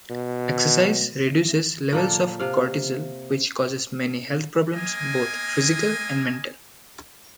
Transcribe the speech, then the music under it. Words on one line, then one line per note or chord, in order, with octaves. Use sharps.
Exercise reduces levels of cortisol, which causes many health problems, both physical and mental.
B2
A#2 A#3 A4
C3 F5
A#3 C4 D#5 G#5